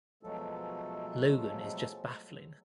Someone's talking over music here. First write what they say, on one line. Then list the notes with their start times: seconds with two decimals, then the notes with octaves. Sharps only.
Logan is just baffling.
0.23 B2 F3 F#3 G#3 A3 A4